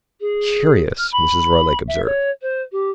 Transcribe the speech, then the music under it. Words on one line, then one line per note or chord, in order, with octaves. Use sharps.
"Curious!" Mrs. Roylake observed.
G#4
F6
B5
E5
C#5
C5
G4